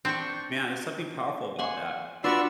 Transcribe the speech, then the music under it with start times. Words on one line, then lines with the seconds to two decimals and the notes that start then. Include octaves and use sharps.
man, there's something powerful about that.
0.05 C4 D4 G5 C#6
1.59 F#5 G#5 C6
2.24 D4 F4 F#4 B4 D5 E5 C#6 E6